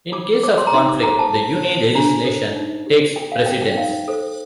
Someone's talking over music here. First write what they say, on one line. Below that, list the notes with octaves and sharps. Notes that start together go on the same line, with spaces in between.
In case of conflict, the Union legislation takes precedence.
F4 D6
C5 D6
C6
A#5
D#4 C6
D6
A4 C5 A#5
A5
F4
C5
D4 A#5
A4 C5
D#4
G4 C5
F4 G5
F5
A4 C5 G5
G5
D#4 F5
A4 C5